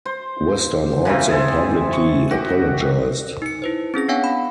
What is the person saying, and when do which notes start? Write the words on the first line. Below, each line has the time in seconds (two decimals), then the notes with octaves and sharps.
Western also publicly apologized.
0.05 C5
1.05 C#3 E3 A#3 C4
1.28 G#4 A4 C5
1.93 C#6
2.31 F#4 G4
3.42 D#4 C#7
3.62 E4 B4 C5
3.94 C4 C#4 G#4 A#6
4.08 B3 D4 C#5 F5 F#5 G#5
4.24 B5